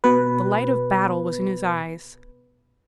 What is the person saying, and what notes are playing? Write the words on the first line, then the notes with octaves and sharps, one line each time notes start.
The light of battle was in his eyes.
B2 B4